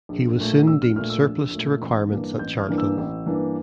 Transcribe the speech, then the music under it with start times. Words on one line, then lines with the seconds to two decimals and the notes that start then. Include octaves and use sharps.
He was soon deemed surplus to requirements at Charlton.
0.09 A#1
0.38 A#2 A3
0.67 A#1 E6
0.82 F6
0.96 A#2 A3 F6
1.10 E6
1.24 A#1
1.53 A#2 A3
1.82 A1
2.11 G2 E3 A#3 D4
2.39 A1 G6
2.59 F6
2.68 G2 E3 A#3 D4
2.78 E6
2.98 A1
3.26 G2 E3 A#3 D4